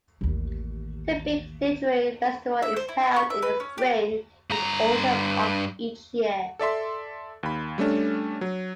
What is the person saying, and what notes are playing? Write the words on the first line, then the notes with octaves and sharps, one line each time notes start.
The Peak Literary Festival is held in the spring and autumn of each year.
A1 D#2
E5
C5
E4
D#5
C#6
E5
B4
C#4
G4
G2 A#5
A4 D5 E5 C6
D#2 B5
G3 A3 C#4 D4
F#3